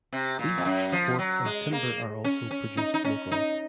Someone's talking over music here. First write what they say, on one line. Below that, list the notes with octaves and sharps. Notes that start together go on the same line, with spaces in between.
Beef, pork and timber are also produced locally.
C3
A#2
F2
F#2
F3
F#3
G#3
A#3
C#4
C#4
D#4
D#4
C#4
D#4